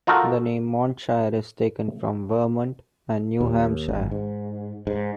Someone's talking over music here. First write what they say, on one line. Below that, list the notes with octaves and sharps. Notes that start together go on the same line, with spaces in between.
The name Montshire is taken from "Vermont" and "New Hampshire".
D#4 F4 F#4 A4 A#4
D#2
G#1
G#2
G#2